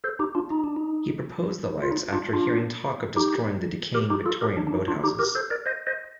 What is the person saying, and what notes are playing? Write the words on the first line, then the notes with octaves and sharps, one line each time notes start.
He proposed the lights after hearing talk of destroying the decaying Victorian boathouses.
A4 C5
D#4 G4
D4 F4
D#4
D4
D#4
F4
D#4
D4 F4
D4 F4
D#4 G4
G4 A#4
D#4 G4
F4 A4
G4 A#4
D4
D4
D#4
D4 F4
D#4 G4
G4 A#4
A4 C5
A#4 D5
C5 D#5
C5 D#5